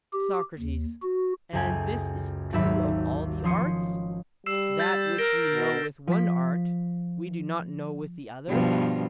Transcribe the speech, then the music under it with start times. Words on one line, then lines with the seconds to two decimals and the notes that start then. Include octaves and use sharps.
SOCRATES: And this is true of all the arts;--that which we know with one art we do not know with the other?
0.13 G4
0.59 D#2
1.02 F#4
1.53 C#2 F#2 G#4 A4 G5 G#5
2.52 G#1 D#2 F#3 E5 B5
3.44 F3 C#4 C6 D#6 C#7
4.46 G3 E6 C7 E7
4.79 G6 A6 B6
5.18 A#4 A#6 D7 G7
5.53 B2
6.07 F3 B6
8.49 G2 B2 F3